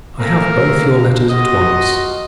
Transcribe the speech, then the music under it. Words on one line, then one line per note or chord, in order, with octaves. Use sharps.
I have both your letters at once.
A3 A#3 C4 A#4
F4 F#4 D#5